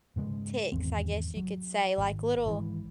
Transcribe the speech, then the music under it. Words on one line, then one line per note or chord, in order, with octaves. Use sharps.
ticks, I guess you could say, like, little
G#2 C#3 G#3
G#1 E2 C4
F#3
G#1
G#1 E3 G#3